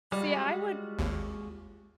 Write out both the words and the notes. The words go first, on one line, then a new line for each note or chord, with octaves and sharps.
See, I would
G3 G#3 F4 F#4
G#1 D#2